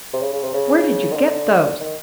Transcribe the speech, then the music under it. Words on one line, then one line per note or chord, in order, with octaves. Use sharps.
Where did you get those?
C3
C#3
C#3
C3
C#3
D#3
D3
D#3